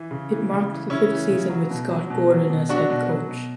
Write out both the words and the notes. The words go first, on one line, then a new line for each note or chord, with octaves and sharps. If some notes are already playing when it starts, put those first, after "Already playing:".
It marked the fifth season with Scott Gordon as head coach.
Already playing: E3
C#3
E3
C#3
E3
C#3 C#4 E4
E3
C#3
F#3
B2
F#3
B2
F#3
B2
F#3 D4 F#4
B2
F#3
B2